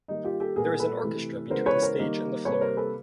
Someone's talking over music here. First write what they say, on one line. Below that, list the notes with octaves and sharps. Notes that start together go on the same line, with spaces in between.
There is an orchestra between the stage and the floor.
D#3 G3 A#3 D#4
F4 G4
G4 A4
A#2 G3 B3 G#4 A#4
A4 B4
C3 E3 A3
C#3 E3 G#3 B3 A#4 C5
B4 C#5
A#4 C5
D#3 G3 A#3
C3 D#3 G3 A#3 B4 C#5
A#4 C5
A4 B4